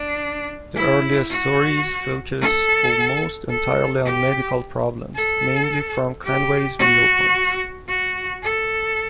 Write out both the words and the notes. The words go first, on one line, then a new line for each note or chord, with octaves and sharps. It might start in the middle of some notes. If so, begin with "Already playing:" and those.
The early stories focus almost entirely on medical problems, mainly from Conway's viewpoint.
Already playing: D4
E4
F#4
A4
A4
G4
A4
G4
F#4
F#4
A4